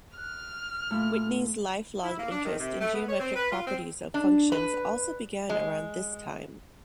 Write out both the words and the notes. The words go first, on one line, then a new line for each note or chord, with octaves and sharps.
Whitney's lifelong interest in geometric properties of functions also began around this time.
F6 F#6
A#2 A3 E4
E4
A#3
D4
D#3
C3
A3
B3
C#5
C4
B4
F4
C4
D4
B4
G#3